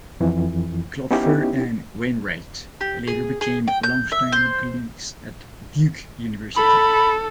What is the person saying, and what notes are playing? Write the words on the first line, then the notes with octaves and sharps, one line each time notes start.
Klopfer and Wainwright later became longtime colleagues at Duke University.
F2 E3
B3 C#4 D#4 E4 G4
G4
G#4
G#4
G5
G6
E5
C5
A4 B5